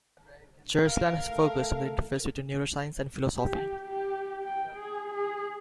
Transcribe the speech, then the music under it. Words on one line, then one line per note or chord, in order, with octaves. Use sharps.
Churchland has focused on the interface between neuroscience and philosophy.
A#4 F5
A3 A4
G4
G4
G5
G#4
G#4